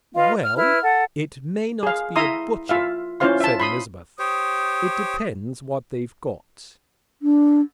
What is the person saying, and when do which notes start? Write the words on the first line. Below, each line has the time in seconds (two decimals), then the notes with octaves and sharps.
"Well, it may not be a butcher," said Elizabeth; "it depends what they've got."
0.14 F4 B4 D#5 F5
0.41 F6
0.55 E4 B4 F6
0.83 A4 F#5
1.83 G#4 F5
2.16 E4 E5 A#5 C6 D#6
2.69 F4 E5 F5
3.20 C#4 E4 F4 C5 F5 C6
3.40 E5 A5
3.60 B5 C6 D#6
4.19 G4 C5 C#5 D#6
7.22 D4